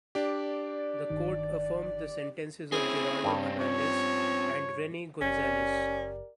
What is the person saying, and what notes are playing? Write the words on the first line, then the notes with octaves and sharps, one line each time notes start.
The court affirmed the sentences of Gerardo Hernandez and Rene Gonzalez.
D4 G4 D5
G1 D#3
C4 C#4 E4 G#4
G2 G3
F3 C#5
F#1 C#4 G4 A#4 D5